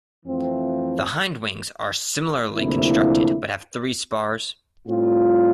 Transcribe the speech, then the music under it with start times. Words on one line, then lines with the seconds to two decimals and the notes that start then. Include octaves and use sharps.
The hindwings are similarly constructed, but have three spars.
0.24 F2 E3 A3 C4 F4
2.55 D2 C3 F3 A#3 E4
4.86 A2 G3 C4 F4